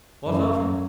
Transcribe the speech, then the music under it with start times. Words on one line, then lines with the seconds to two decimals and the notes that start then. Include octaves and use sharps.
"What of him?"
0.26 F#2